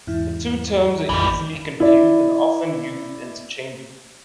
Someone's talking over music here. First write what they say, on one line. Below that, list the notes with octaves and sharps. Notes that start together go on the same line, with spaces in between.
The two terms are easily confused and often used interchangeably.
E2 G#2 E4
A1 F2 E3 F3 G3
E4 D5